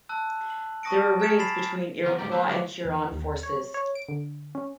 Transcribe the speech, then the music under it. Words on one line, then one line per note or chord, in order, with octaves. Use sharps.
There were raids between Iroquois and Huron forces.
A5 E6 F#6
F#7
A5 C#6 D#6 A#6 C#7 D7
G#5 A#5 F6 G#6 D7 E7
B5 A6 B6 C7 E7 F#7
E3 B3 C#4 F4 A4 A#4
G#2 C#3 G#3 A#3 G4 D5
A#3 B4 C5 E5
D3 F#3 G#3 F#4 D5 A5
E2
D#2
C#5
C#5
D7
D3
C#4